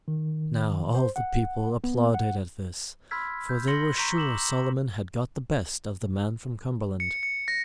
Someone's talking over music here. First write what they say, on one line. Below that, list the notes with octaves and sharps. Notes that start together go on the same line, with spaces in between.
Now all the people applauded at this, for they were sure Solomon had got the best of the man from Cumberland.
D#3
C5
F#5
B3
F#5
B5 C6 E6 F6 G#6 B6
G6
C6 A#6 C#7 F#7 G7
A#5 C6 C#6 G6 B6 G7
D6 E6 E7 F#7
C#7
C#7
A#6